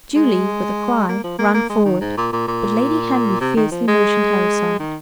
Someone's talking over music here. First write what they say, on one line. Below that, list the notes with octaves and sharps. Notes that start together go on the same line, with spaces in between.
Julie, with a cry, ran forward, but Lady Henry fiercely motioned her aside.
G#3
A#3
F3
A#3
A#3
G#3
D#3
G#2
A#2
A#2
A#2
C3
D#3
F3
G#3
D#3